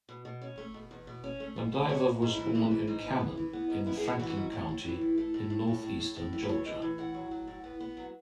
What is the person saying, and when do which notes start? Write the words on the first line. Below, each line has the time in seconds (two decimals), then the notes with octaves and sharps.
Vandiver was born in Canon in Franklin County in northeastern Georgia.
0.09 B2
0.25 B2
0.41 C#4
0.58 A3
0.74 B2
0.91 E2
1.07 B2
1.24 C#4
1.40 A3
1.56 B2
1.73 A3
1.89 G#2 C#5
2.06 G#2
2.22 G#2
2.33 E4
2.39 E3
2.55 G#2 E4
2.71 E3
2.87 G#2 D#4
3.04 B3
3.21 E3
3.37 E3
3.53 B3
3.70 G#2
3.86 B3 E4
3.97 G#4
4.03 G#2
4.08 F#4
4.19 E3
4.30 F#4
4.36 G#2
4.52 A2
4.68 A2
4.85 E3
5.01 A3
5.18 A3 A4
5.34 A2
5.50 A2
5.67 A2
5.83 A2
6.00 A2
6.16 A2
6.33 E3
6.43 B4
6.49 A2 C#5
6.65 E3 D#5
6.82 E3
6.98 A2 F#5
7.14 F#3
7.31 F#3
7.47 A2
7.64 B3
7.80 B3
7.97 F#3